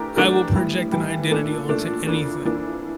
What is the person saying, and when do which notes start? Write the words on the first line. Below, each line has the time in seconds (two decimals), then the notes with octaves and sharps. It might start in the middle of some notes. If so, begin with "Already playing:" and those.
I will project an identity onto anything.
Already playing: E3 A3 D4 G4 A#4
0.16 E3 A3 D4 G4 A#4
0.55 A2 E3 G3
0.92 A2 E3 G3
1.31 A#2 A3 D4 A4
1.69 A#2 A3 D4 A4
2.07 F2 E3 A#3 D4
2.45 F2 E3 A#3 D4